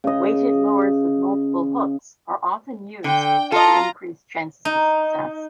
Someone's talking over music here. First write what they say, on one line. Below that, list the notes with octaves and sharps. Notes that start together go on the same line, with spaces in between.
Weighted lures with multiple hooks are often used to increase chances of success.
C#3 D#5
D3 G5
F4 A4 D#5 A#5
D#4